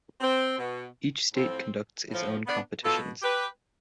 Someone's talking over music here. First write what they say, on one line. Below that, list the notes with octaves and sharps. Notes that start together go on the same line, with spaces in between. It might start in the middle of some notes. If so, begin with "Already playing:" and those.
Each State conducts its own competitions.
C4
B2
A2 F3 C4
A2 F3
B3 D4
B2 F4 A4
G4 B4